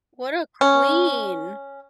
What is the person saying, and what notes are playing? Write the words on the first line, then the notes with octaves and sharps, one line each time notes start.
What a queen!
C#4